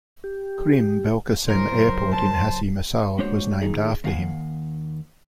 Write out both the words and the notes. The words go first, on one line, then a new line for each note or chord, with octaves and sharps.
Krim Belkacem Airport in Hassi Messaoud was named after him.
G4
F#1 A#4 C5
A5
G#3 A#3 D4 F#4 C5 C#5
D#2 C#3 D#4 G#4
D#2 F5 F#5 G#5